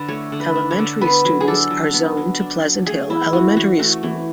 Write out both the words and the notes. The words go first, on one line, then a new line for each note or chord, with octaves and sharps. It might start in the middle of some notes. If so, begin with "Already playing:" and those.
Elementary students are zoned to Pleasant Hill Elementary School.
Already playing: D3 D4 B4
A3 C#5
D3
B4
D4
C#5
D3
B3 B4
F#3
G#4
D4 A4
F#3
B3
F#3
D4
F#3
A3 G#4
E3 E4
C#4 F#4
E3 F#4
A3 F#4
E3